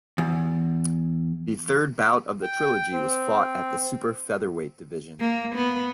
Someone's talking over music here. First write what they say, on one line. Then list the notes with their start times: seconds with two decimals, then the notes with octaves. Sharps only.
The third bout of the trilogy was fought at the Super Featherweight division.
0.18 E2
2.43 G5
2.92 C4
5.20 A#3
5.55 B3